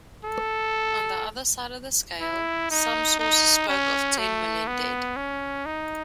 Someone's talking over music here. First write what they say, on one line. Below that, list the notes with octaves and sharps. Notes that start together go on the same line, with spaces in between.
On the other side of the scale, some sources spoke of ten million dead.
A4
E4
D#4
D#4
C#4
A3
B3
C#4
D#4